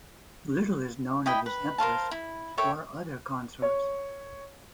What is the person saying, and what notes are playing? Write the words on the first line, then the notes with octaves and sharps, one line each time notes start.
Little is known of his empress or other consorts.
E4 D#5 G5 B5
B4
A#4 C5 F5 A5
E4
A4 C#5 E5 G5
C#5